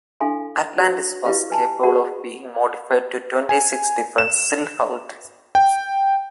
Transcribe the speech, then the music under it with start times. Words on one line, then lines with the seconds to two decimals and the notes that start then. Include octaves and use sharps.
"Atlantis" was capable of being modified to twenty-six different silhouettes.
0.20 D4 E4 A4 F5 G#5 C6
0.80 F#4 B4 C#5
1.25 E4 G4 B4 D#5 F5 C#6
1.50 B4 G#5 A5
1.83 F#4 G#4 A#4 D5 F#5
3.49 G#5
4.18 E7
5.55 G5